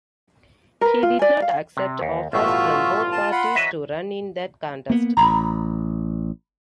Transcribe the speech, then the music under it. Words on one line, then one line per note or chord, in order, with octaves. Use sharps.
He did not accept offers from both parties to run in that contest.
A#4 B4
F4
D5 G#5
F5
C3
D#2
A1 G2 B2 A3 F4 F#4 E5
A5
F#5 B5 C6
E3 F#3 B4 D#5 E5
A#3 B3
A1 A#5 B5